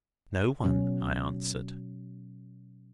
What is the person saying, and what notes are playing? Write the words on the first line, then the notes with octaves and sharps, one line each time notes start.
"No one," I answered.
B2 F#3 C#4